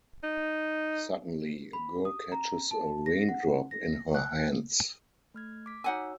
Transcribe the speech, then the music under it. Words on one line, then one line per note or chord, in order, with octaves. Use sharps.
Suddenly, a girl catches a raindrop in her hands.
D#4
B5
D#6
A#5
A5
A#6
F#5
A#6
F#6
A3 F6 G#6
D6 B6
D#4 F#4 C#5 F#5 G#5 E6